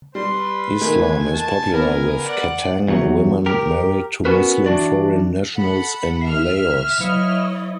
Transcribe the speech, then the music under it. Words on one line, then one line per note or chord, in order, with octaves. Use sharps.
Islam is popular with Katang women married to Muslim Foreign Nationals in Laos.
G3 B4 C6
D#3 G#3 A3 G#5
A5
B3 A#4
D5 F#5
E2 F#3
G4 A#4
B3 C#4 F#4 A#4 B4
E3 D4 F#4 D5
A4 F#5 B5
E5 F6 C7
F#3 E4 C#5 D#5 C#7